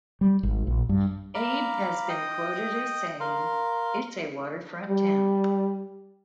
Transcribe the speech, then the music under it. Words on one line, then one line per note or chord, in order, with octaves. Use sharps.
Abe had been quoted as saying, It's a waterfront town.
G3
G#1
A#1
G2
F5 A#5 B5 D6
D#5 G5 D#6
A#4 F5 C6
G3